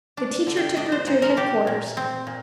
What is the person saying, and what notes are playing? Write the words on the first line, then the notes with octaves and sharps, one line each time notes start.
The teacher took her to headquarters.
D4
D3
G5
D4 D#5
C5
A#2 C5
A#4
D4 G4
A#2
C4
A#2